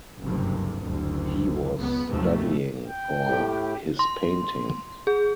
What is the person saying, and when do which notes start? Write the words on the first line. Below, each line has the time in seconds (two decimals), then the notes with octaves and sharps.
He was studying for his painting.
0.22 F#1 D2 G2 C3
0.81 F#1 D2
1.77 C#2 C#3 B3
2.07 D#2 G#2 C3 F3 F#3 A3
2.88 G5
3.25 A2 G4
3.99 C6
5.07 G#4